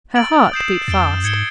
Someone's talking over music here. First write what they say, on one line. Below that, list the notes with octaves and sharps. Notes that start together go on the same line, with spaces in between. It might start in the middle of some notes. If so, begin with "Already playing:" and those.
Her heart beat fast.
E6 A6 D7 F#7
D#6 G6 C7 E7
E2 A6 D7 G7
F2
F#2
G#2 G#6 C#7 E7 G7